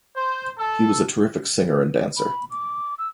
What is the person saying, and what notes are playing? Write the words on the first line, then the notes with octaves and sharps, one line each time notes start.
He was a terrific singer and dancer.
C5
A4
B5
D6
E6